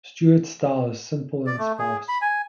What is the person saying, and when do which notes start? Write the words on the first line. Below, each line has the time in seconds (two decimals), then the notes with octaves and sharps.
Stuart's style is simple and sparse.
1.47 D5
1.58 A3
1.79 G#4
2.08 B5
2.22 G#5